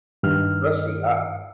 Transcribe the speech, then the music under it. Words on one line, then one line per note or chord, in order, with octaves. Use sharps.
Trust me. I
G2 D#3 F6